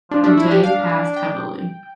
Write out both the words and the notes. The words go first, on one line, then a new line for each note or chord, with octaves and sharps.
The day passed heavily.
F3 D4
A3 D4
E4
D4
G4
D4 F5
G5